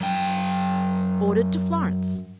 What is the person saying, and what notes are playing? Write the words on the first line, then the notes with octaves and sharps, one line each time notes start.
Ordered to Florence.
F#2 G5